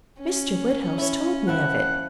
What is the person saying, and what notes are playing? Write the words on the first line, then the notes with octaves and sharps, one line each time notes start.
Mr. Woodhouse told me of it.
C#4
E4 C#5
F3 E4 F#5 G5